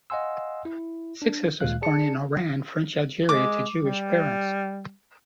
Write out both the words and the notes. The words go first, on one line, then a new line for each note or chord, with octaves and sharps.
Cixous was born in Oran, French Algeria to Jewish parents.
D#5 F5 F#5 G#5 C6 E6
E4
D4
D2 A#2 D#3 G#3 F5 F#6
G#4 D5 A5 C#7
G#3 D6
G3